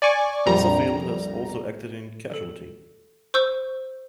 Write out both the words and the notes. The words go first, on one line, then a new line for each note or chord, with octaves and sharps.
Suffield has also acted in "Casualty".
D5 G#5 C#6 D6
A#1 F2 G3 A#5
A4
C5 C#6 E6 G6